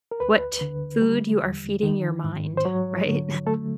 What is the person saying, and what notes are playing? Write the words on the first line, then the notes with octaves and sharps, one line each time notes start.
what food you are feeding your mind. Right?
A#4
D2 B4
D3
G3
E2
D#3
G#2
C5
F#3 C#5
D3
A3 A4